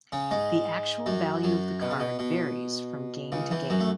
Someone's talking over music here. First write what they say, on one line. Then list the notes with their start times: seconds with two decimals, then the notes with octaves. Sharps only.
The actual value of the card varies from game to game.
0.12 C#3 C#4
0.31 G#2 G#3
1.06 F#2 F#3
1.43 F#2 F#3
1.81 B2
1.91 C#3
2.00 B2
2.19 B2
3.32 C#2 C#3
3.51 E2 E3
3.70 F#2 F#3
3.80 A3